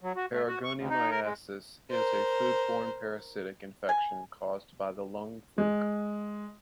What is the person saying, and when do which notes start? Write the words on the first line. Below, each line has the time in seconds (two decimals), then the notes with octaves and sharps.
Paragonimiasis is a food-borne parasitic infection caused by the lung fluke.
0.01 F#3
0.16 F#4
0.32 A3
0.48 F#4
0.64 C#6
0.77 D2
0.90 D#4
1.11 A#4
1.23 G#3
1.90 A#4 C5
3.89 G#5
5.58 G#3